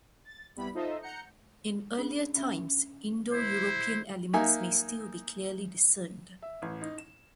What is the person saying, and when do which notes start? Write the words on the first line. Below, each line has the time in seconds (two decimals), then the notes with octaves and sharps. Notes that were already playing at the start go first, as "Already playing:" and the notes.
In earlier times, Indo-European elements may still be clearly discerned.
0.25 A6
0.56 C2 G3 B3 E4 B5
0.74 D#4 F4 A4 C5 D#5 E5
1.02 F#5 A#5 G6 C#7
1.98 C#4 D4 G#4
2.36 C#4 E5
3.32 E4 C5
4.33 A#3 D#4 E5 G#5
6.42 E5
6.62 A1
6.81 D#4
6.98 E7